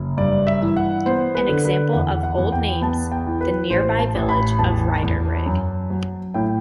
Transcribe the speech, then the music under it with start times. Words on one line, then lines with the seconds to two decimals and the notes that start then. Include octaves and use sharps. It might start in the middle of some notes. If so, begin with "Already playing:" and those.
An example of the old names, the nearby village of Riedering.
Already playing: F#1
0.17 G2 D5
0.47 E5
0.62 E3
0.77 F#5
1.06 B3 C5
1.35 B4
1.49 D3
1.65 B4
1.93 E2 F#5
2.23 F#5
2.37 E2
2.52 G5
2.81 B3 A5
3.12 G5
3.26 E3
3.41 B4
3.70 A1 C5
3.99 A5
4.15 A1
4.29 B5
4.59 E2 A5
5.03 E2
5.46 F#2
5.90 F#3
6.34 A2 G5